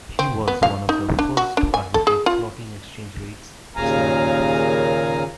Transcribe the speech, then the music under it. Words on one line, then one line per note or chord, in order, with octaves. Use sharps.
He was one of the first to advocate floating exchange rates for small countries.
C4
B3
F5
D#4
D4
F#4
D4
G#5
A4
G#4
F4
D#2 A#2 C#3 F5 G#5 A#5